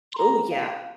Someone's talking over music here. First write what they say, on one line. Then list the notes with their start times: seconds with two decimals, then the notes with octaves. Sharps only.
Ooh, yeah.
0.14 C6
0.18 A#5
0.51 F5